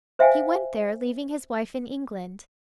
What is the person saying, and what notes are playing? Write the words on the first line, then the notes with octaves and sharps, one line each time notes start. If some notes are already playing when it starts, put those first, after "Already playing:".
He went there, leaving his wife in England.
C5 E5 F5 G5 G#5